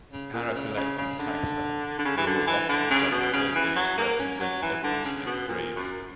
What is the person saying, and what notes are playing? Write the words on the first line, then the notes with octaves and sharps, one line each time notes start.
Paraphyletic taxa will often, but not always, represent evolutionary grades.
C#3
A#2
C#3
C#3
C#3
D3
D3
C#3
E3
D3
E3
D3
C#3
B2
C#3
E3
F#3
A#3
C#4
F#3
E3
D3
C#3
B2
A#2
F#2